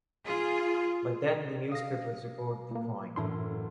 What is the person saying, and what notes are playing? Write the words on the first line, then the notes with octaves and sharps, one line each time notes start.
But then the newspapers report the crime.
F4 G#4
F5 D#6 A#6
A#2 A#3
F#2 A2 E3 D4 E4 C6